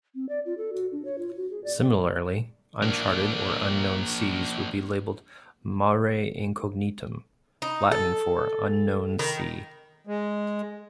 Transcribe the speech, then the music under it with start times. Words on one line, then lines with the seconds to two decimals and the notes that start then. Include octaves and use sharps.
Similarly, uncharted or unknown seas would be labeled mare incognitum, Latin for "unknown sea".
0.15 C4
0.29 D5
0.45 F4
0.58 A4
0.73 F#4
0.92 D4
1.05 C#5
1.18 F4
1.37 F#4
1.50 G#4
1.64 D5
2.82 A#3 D4
7.62 D#4
7.92 A4
9.19 D#3
10.07 G#3